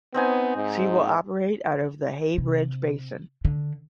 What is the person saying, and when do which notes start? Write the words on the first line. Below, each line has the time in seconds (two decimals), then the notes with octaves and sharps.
She will operate out of the Heybridge Basin.
0.14 B3 C4 D#4 G#5
0.57 G#2
2.38 C3
3.45 D3